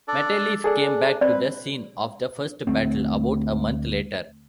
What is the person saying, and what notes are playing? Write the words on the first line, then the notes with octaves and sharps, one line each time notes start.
Matelief came back to the scene of the first battle about a month later.
D4 A4 D5
D4 G#4 A4 D5
C4 B4 D5
D2 A3 C4